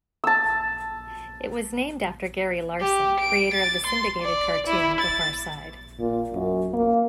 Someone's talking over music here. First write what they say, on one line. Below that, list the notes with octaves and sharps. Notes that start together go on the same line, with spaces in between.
It was named after Gary Larson, creator of the syndicated cartoon The Far Side.
A5 E6
G4
D7
A6
C6
D5
E4
A6
A#2
F#2
A#3